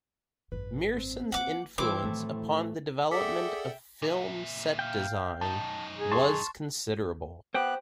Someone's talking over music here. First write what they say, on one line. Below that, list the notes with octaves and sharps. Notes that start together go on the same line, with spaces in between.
Meerson's influence upon the development of film set design was considerable.
G#1 F#2 B4
C4
A#3 F4 F#5 D6
E3 G3 C4 E4 F4 A4 D6
A2 D#3 F#3 A3
G#4 A4 D5 E5 F#5 G5 D6 B6
A#2 E5
F5 G5
F#2 D#4 A5
G#4
A5 C6 C#6
B3 G4 C5 G5 F#6